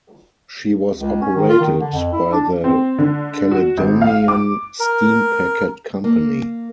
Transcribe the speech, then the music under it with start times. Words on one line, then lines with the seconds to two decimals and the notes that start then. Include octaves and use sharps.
She was operated by the Caledonian Steam Packet Company.
0.98 C#2
1.22 C#4
1.35 D#3
1.49 F4
1.60 D#3
1.80 D3
1.94 F2
2.13 E4
2.32 D4
2.64 C4
2.98 D3
3.51 F#4
3.78 G#1
4.01 F5
4.28 D6
4.80 A#4
6.04 A#3